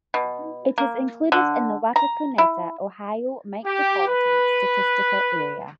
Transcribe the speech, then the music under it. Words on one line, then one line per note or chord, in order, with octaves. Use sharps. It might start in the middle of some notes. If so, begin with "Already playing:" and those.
It is included in the Wapakoneta, Ohio Micropolitan Statistical Area.
B2
A#3
D3
A#5
E4
G4
B4